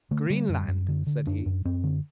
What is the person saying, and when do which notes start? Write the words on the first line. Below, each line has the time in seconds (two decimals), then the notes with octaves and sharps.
"Greenland!" said he.
0.11 D3 A3
0.30 D3 G3
0.49 F#2
0.68 F#2
0.88 D3
1.07 D3
1.27 F#2 D4
1.46 F#2
1.65 F#2 C4
1.84 D3